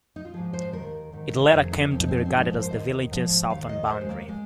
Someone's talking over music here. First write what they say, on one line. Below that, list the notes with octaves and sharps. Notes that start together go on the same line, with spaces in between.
It later came to be regarded as the Village's southern boundary.
D#4
F4
G#2 F3 G#4
C5
D#2 D#3 A#4
G#2 D#3
F2 C3 D#3 G#4
D#4
F2 F3 C4
D#4
C4
D#4
C4
G#2 F3 D#4
C4
A#4
C5
D#2 D#3 D#5
G#2 F3
D#2 D#3 F5
D#5
D#2 D#3 C5
G#3
A#3
G#3